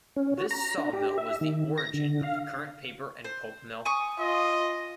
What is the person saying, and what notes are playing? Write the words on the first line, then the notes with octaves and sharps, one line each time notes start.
This sawmill was the origin of the current paper and pulp mill.
C#4
F#4
A#5
D4
G4
E5
D#3
A#6
D3
F5
C5
G#5 C#6 D#6
F4 D#5